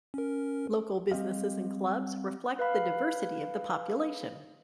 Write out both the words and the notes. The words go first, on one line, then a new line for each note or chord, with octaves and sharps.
Local businesses and clubs reflect the diversity of the population.
C#4 A#4
G3 C4 D#5 F5
B4 F5 B5